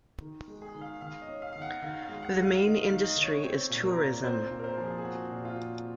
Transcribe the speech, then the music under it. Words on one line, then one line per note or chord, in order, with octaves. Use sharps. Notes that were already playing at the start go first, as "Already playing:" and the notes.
The main industry is tourism.
D#3
G#3
G#4
D#3
F5
D#3 F5
D#5
C#4
F5
D#3 F5
F#5
D#3 F5
F5
G#3
F#5
G#3
F5
D#3 D#5
F5
D#3
D#5
D#3
C#5
C4 C#5
A#2
A#4
A#2
C4 C5
A#2
A#4
C5
F3
G#4
G#4
C4 F#4
A#2
F4
C4